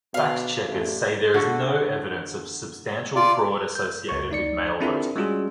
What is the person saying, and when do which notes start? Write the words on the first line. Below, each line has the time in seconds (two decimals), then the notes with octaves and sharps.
Fact checkers say there is no evidence of substantial fraud associated with mail voting.
0.14 B2 D4 F5
0.66 A1
1.34 D3 F#4 A4
3.16 F4 D5
3.75 G6
4.09 C#2 C#6
4.30 D2 D#4 D5 C#7
4.81 C4 D4 E4 F4 G#4 A#4
5.16 G3 G#3 C#4 F4 F#4 G#4